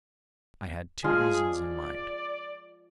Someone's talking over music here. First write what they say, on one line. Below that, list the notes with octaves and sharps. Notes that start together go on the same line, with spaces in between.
I had two reasons in mind.
F3 G#3 F4 G#4
D5